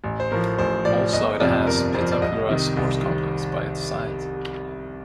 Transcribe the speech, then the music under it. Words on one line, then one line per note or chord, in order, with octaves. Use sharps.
Also it has Pitampura Sports Complex by its side.
A1
C5
A2 F3 A#4
A1 C5
A2 F3 D5
G1 D#5
F2 C3 F3 D5
G1 A#4
F2 C3 F3 C5
D5
C2 D#5
C3 D#3
C2
C3 D#3